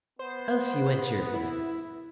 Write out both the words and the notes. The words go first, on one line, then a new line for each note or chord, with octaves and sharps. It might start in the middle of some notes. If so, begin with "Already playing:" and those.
Elsie went cheerfully.
B3 C5
E4